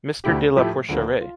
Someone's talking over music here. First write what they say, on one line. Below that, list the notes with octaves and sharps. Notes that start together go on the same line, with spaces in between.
Mister de la Porcheraie.
D2 D3 A3 E4 G4
A2 F3 A3 E4 G4
D2 D3 F3 A#3
F4